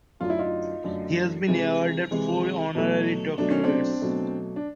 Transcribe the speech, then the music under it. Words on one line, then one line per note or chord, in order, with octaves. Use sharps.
He has been awarded four honorary doctorates.
F#2 D3 F#3 A3 F4
E4
D#4 F4
F#2 D3 F#3 A3
C3 E3 G#3
C3 E3 G#3
B2 F#3 A3
B2 F#3 A3 D4
C#4
C4 D4
B2 F#3 A3
D4